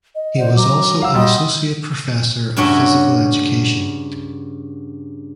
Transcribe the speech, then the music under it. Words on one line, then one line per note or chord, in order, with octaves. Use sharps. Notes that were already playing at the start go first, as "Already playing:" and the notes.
He was also an associate professor of physical education.
D#5
C5 D5 F#5
F#3 A#5 D6
F5 F#5 E6
G3 D#5 G5 C6 D#6
G2 C#3 C#4 F#4 E5 F#5